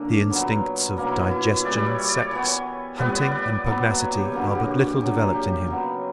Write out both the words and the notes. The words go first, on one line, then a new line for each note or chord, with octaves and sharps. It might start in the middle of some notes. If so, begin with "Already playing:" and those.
The instincts of digestion, sex, hunting and pugnacity are but little developed in him.
Already playing: D3 A#3 C#4 D4
A#2 F#3 B3 C#4
B2 A#3 C#4 D4
E4
E4
E4
E4
A#2 G3 C#4 D5
D5
C#5
C#5
D5
C#5
E3 B3 C#5
A#2 G3 B3 B4
C#5
D5
D5
A#2 F#3 B3
B4
C#5
G4
D3 A#3 C#4 F#4
G4
F#4
G4
A#2 F#3 C#4
G4
C#3 F#3 B3